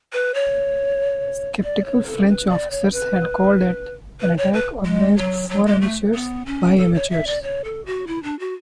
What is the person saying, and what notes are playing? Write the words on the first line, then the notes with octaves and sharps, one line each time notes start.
Sceptical French officers had called it "an attack organized for amateurs by amateurs".
B4
C#5
D5
C#5
A4
B4
D5
C#5
B4
B4
C#5
B4
G#3
F#3
F#3
G#3
A3
B3
C#4
A4
C#5
E5
D5
C#5
A4
F#4
E4
D4
F#4